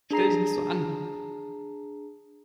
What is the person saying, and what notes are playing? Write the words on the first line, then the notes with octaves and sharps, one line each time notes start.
Stell dich nicht so an!
D4 G#4 A#5 C7